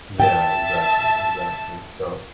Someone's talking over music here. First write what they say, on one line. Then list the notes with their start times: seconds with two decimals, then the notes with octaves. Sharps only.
Yeah, exactly, exactly, so,
0.20 E5 G5 A5